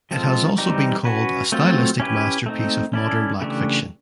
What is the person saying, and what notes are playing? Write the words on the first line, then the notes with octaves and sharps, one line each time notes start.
It has also been called "a stylistic masterpiece of modern black fiction".
F3 G#3 C4 F4 A4
E3 G3 C4 D#4 G4
C#4 F#4 B4
F#3 A3 C4 F4
C#4 E4 G4 B4
A3 C4 D#4
C#4 E4 A4 D5
C#3 E3 A3 D4 G4